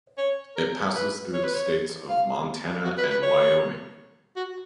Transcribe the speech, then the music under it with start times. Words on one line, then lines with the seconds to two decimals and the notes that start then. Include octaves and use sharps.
It passes through the states of Montana and Wyoming.
0.18 C#5
0.56 A#4
0.95 B4
1.33 C#5
1.43 B4
1.54 C#5
2.09 F5
2.84 F#4
2.97 B4
3.10 B4
3.23 C#5
4.36 F#4